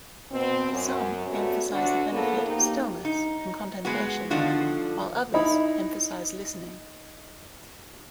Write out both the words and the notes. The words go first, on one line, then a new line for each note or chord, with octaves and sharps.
Some emphasize the benefit of stillness and contemplation, while others emphasise listening.
B2 C4
F#2
G3 A3 B3 C#4 F#4
D2 D3 D4 F#4
C#3 F3 A#3 B3 G#4 A4
A#3 D#4 G4
D#4
G#3 B3 F#4
D3 D#3 F3 D4 F4 F#4
D#4 E4 B5